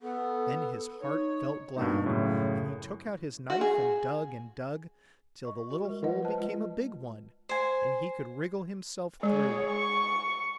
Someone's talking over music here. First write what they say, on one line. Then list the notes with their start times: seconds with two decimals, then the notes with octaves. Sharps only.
Then his heart felt glad, and he took out his knife and dug and dug, till the little hole became a big one, and he could wriggle himself through.
0.02 B3 A4
1.01 D#4 C#5
1.77 G2 B2 A#3 D#4
2.06 F#2 A2 C#3
3.50 F#4
3.61 G#4
5.45 D#5 C#6
5.71 F#4
5.85 G#3 F4 A#4
6.02 F3 F4 B4 D#5 F#5
6.23 B4 C5 A5
6.38 G#3 F4 D#5
7.49 C5 G#5
9.23 G#3 G#4 C#5
9.72 C#6